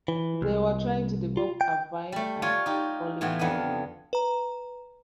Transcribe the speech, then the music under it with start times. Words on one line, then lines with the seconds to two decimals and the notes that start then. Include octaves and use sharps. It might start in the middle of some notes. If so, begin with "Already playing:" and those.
They were trying to develop a Vine and Olive Colony.
0.08 E3
0.42 C2
1.37 F4
1.61 G5
2.12 G3 A3
2.42 F4 C#5 D5 G#5
2.66 D#4 G4
3.21 A2 E3 B3 F4 G5
3.39 F2 B3 D4 D#5
4.13 B4 A#5